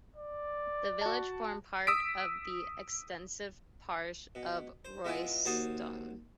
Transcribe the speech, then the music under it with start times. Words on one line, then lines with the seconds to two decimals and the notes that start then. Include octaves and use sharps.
The village formed part of the extensive parish of Royston.
0.16 D5
1.01 F#4 A5
1.87 D#6 E6 B6 D7
4.35 B2
4.85 C5
5.05 G#3 B3 E4 F4 G#4
5.45 D#2 F#4 C5 A5 C6 D#6